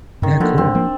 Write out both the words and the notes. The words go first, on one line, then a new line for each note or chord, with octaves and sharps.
Yeah, cool.
G2 D#3
D3 F3 A#3
G2 C4
F3 A#3